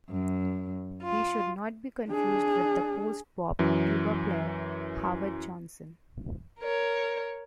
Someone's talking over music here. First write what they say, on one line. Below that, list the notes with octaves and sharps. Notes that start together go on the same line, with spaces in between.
He should not be confused with the post-bop tuba player, Howard Johnson.
F#2
F4
D4 G#4
F#2 E3
A#4 C#5